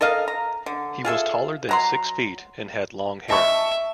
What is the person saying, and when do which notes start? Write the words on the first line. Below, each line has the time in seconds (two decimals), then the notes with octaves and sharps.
He was taller than six feet and had long hair.
0.01 A4 A#4 D#5 F5
0.28 A#5
0.66 D3
1.05 F4 G#4 A4 E5
1.69 F#3 A#5 C6
3.29 D#5 E5 A5 C#6